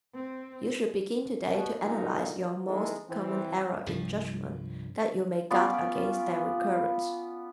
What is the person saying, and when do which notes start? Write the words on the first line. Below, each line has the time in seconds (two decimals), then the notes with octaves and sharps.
You should begin today to analyze your most common errors in judgment that you may guard against their recurrence.
0.15 C4
1.50 B2
1.80 B1 A#2 D3 G3 D#4 A#5
2.66 E3 G#3 B3 D#4 E4 A4
3.09 E3 C4
3.86 C2 G2 F3
5.51 B3 C#4 F4 D5